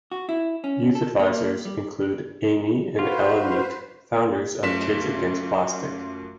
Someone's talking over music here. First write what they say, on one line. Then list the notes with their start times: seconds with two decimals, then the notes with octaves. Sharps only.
Youth Advisors include Amy and Ella Meek founders of Kids Against Plastic.
0.12 F#4
0.29 E4
0.64 C#4
0.95 A4
1.20 A#3
1.65 G3
2.99 F4 F#4 B4 C5
4.63 F#2 A3 F4 B6 E7